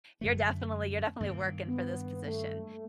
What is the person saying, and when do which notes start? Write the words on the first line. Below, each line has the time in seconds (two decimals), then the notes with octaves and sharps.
You're definitely you're definitely working for this position.
0.21 F#2 D3 A3
1.20 G2 D#3 A#3
1.67 B3
2.25 A3